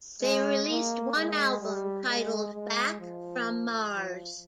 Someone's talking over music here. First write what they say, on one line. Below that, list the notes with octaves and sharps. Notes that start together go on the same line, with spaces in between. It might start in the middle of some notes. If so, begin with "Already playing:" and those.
They released one album titled "Back From Mars".
G#3
A#3
G#3
G3
G#3
G#3
F3
F3